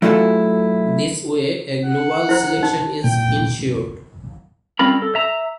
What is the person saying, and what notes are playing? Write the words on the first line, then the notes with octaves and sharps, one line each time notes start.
This way a global selection is insured.
F#3 A3 E4 F4 G#4 A4
F#5
E4 C5 A#5
D#4
A#2 G5
G3 C4 C#4 F4 A#4 B5
A4
E5 A#5